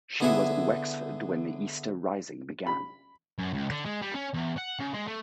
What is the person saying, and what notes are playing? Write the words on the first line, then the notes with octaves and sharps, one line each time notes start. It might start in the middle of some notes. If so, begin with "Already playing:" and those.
She was in Wexford when the Easter Rising began.
D3 B3 E4 G#4 E5
B5
F#2
C#2
D3
G#3
G3
C#4
E2
F#5
C#3
G#3
A3